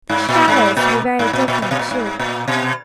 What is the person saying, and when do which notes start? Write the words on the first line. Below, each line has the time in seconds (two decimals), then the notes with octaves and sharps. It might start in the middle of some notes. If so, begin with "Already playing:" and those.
The shadows were very different too.
0.09 G#2
0.29 A#2
0.48 G#2
0.77 A#2
1.19 G#2
1.33 A#2
1.48 A#2
1.62 A#2
1.71 B2
1.79 A#2
1.91 G#2
2.19 A#2
2.48 B2